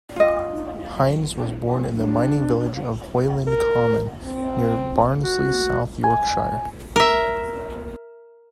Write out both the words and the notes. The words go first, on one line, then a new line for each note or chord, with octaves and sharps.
Hines was born in the mining village of Hoyland Common near Barnsley, South Yorkshire.
F4 D#5
D4
A#4
C4
F#4
G#5
A#4 E5